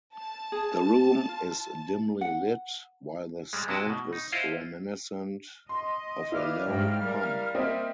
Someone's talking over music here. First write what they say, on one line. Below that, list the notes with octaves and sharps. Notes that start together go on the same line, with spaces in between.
The room is dimly lit, while the sound is reminiscent of a low hum.
A5
G#4
F4
F#5
G3 G#3
C3 G#3 E4 F#4 D#5 A5
B2
D#4
E4 F4 C5 D#5 F5 F#5
D#5 C6
E4 B4 D5 F5 D6 F6
G#2 G5
G3 A#4
A#3 C4 D#5 E5